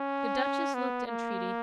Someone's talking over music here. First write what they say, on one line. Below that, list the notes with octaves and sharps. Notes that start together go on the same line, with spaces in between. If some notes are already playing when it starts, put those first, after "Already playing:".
The Duchess looked entreaty.
Already playing: C#4
B3
A#3